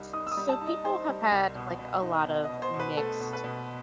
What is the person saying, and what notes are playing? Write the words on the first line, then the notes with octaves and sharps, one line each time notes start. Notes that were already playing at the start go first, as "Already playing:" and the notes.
S so people have had, like, a lot of mixed
Already playing: C2 G3 D#4
D#4 D#6
E6
D#6
G3
A5
D#4
D#5
D#4 C5
G3
C2
B2
B2
D#4
B2
D#5
B2
C5
B2
B4
A3 A4
B2
B4
B2